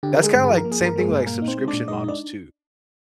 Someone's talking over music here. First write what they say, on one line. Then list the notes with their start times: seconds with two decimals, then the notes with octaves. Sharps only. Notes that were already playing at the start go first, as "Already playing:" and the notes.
That's kinda like same thing with, like, subscription models too.
0.03 D3 G4
0.14 D3 A#4
0.23 G#3 G#4
0.34 G2
0.44 G#4
0.50 F3
0.57 A#4
0.65 A#3
0.71 G#4
0.81 G2
0.86 A#4
0.96 G#3 A#3 G#4
1.12 G2
1.26 A#2 A#3 A#4
1.42 D#4
1.48 C4 C5
1.58 G#3
1.68 D4 D5
1.73 A#2
1.88 G#3 D#4 D#5
2.04 D4 D#4 D5